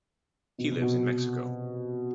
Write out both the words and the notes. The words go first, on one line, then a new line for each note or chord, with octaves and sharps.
He lives in Mexico.
B2
C3
B2